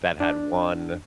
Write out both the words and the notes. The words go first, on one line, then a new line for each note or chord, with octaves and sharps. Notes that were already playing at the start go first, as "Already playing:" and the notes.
that had one
D4